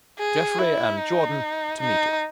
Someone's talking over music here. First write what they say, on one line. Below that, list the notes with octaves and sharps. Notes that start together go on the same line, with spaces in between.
Geoffrey and Jordan, to meet it.
G#4
E4
D#4
D#4